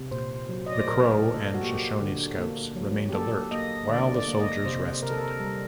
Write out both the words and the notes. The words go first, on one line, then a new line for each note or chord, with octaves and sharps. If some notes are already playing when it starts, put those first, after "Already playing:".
The Crow and Shoshone scouts remained alert while the soldiers rested.
Already playing: C3
A#2 C5
F#3
D#5
D5
C5
A#2 A#4
A#2 A4
F#4
A#3 G4
D3
A#3
F#3
G4
A#3 A4
A#3 D#5
D3 D5
D5
A#3
D#5
C3 C5
C3 A#4
A4
A#4
G3